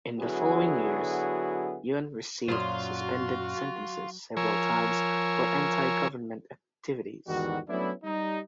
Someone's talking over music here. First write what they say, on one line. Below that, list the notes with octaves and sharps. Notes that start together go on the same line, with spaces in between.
In the following years, Yun received suspended sentences several times for anti-government activities.
D3 F#3 B3 E4 F#4 G#4
F#2 A#2 F#3 F4 F#4 C5 C6 D#6
F3 A#4 C#5 G#5 E6
E2 G#2 D#3 E3 G3 F#4
F#3 A3 B3 C#4 D4 E4
G3 D#4